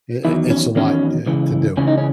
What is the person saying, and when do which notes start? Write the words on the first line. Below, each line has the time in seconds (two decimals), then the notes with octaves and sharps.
i i it's a lot, eh, to do,
0.25 E2 D#3 F#3 E4
0.50 C#4
0.75 E2 D#3 F#3 C#4
1.26 C#2 C#3 E3
1.77 C#2 C#3 E3 C#4
1.87 D#4
1.97 C#4